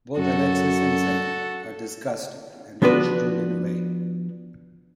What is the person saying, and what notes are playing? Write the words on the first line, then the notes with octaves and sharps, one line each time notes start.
Both Alexis and Sam are disgusted, and push Julian away.
F#2 F#4 A4
F3 B3 D4 F#4 B4